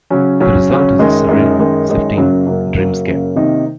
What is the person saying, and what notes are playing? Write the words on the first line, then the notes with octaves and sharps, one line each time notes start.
The result is a surreal, shifting dreamscape.
C#3 F#3 C#4
C#3 F#3 C#4
C#3 F#3 C#4
F#2 D#3 G#3 D#4
F#2 D#3 G#3 D#4
F#2 D#3 G#3 D#4
F#2 D#3 G#3 D#4
F#2 C#3 F#3 A#3
F#2 C#3 F#3 A#3
F#2 C#3 F#3 A#3
F#2 C#3 F#3 A#3
C3 D#3 A#3 D#4